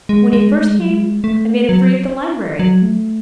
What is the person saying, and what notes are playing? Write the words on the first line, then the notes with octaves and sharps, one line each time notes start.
When he first came, I made him free of the library.
G#3
G#3
A3
G#3
F#3
G#3
A3
F#3
F#3
A3